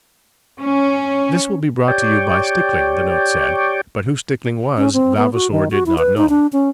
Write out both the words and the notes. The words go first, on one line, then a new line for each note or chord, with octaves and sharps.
"This will be brought to you by Stickling," the note said; but who Stickling was Vavasor did not know.
C#4
G4 C#5 D5 G5
C#4
C4
B3
F#4
D#3
F#4
E4
B4
D#4
D4
C#4